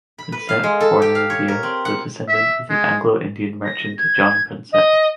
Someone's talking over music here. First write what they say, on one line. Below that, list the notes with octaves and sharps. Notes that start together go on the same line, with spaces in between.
Prinsep, born in India, was a descendant of the Anglo-Indian merchant John Prinsep.
B5
B4
F5
G#3
A4
G4
F5
C#5
A#4
C4
F#5
E5
G#3
A#6
G#6
D#5